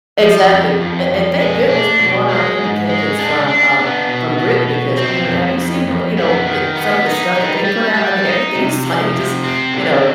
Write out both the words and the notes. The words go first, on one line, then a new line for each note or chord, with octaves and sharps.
Exactly, an and thank goodness we won our independence from, um from Britain because, I mean, eh, have you seen, you know, th some of the stuff that they put out? I mean, everything is, like, just you know,
F3
F2
F2
F2
G#3
D4
B2
G#3
G#2
G#3
D4
D4
B3
B2
B2
B2
C4
F2
F2
F2
B3
D#3
B3
D#4
G3
G3
G3
D#4
C3
F3
C3
C4
D3